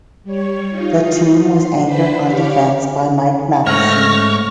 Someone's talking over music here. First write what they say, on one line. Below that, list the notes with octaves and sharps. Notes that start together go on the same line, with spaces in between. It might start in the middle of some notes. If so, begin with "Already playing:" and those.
The team was anchored on defence by Mike Matheson.
G3 C#5
D#4 F4
C6
D4 B4 C5 B5 B6
G4 C#5 D5 F5
G#2 A3 C#5 C#6 F6 A#6